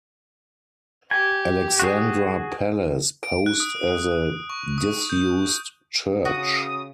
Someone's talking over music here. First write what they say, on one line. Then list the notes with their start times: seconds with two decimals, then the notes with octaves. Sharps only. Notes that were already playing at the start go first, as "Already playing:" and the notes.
Alexandra Palace posed as a disused church.
1.11 G4 G#5
1.79 F#4 G#4
3.23 D7
3.46 F#6
3.60 D#6
4.50 C#6
4.78 D#6
5.10 G6
6.25 C#3 F#4 D#6